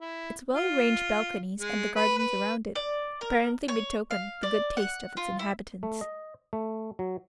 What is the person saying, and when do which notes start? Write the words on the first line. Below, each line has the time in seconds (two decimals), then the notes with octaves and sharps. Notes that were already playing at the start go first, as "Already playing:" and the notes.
Its well arranged balconies and the gardens around it apparently betokened the good taste of its inhabitants.
0.01 E4
0.55 F4
1.60 G#3
1.95 B4
2.18 B4
2.75 D5
3.21 A#4
3.68 C#5
4.11 F5
4.43 D5
4.77 F#5
5.17 F4
5.39 E4
5.83 A3
6.01 D#5
6.53 A3
6.99 F#3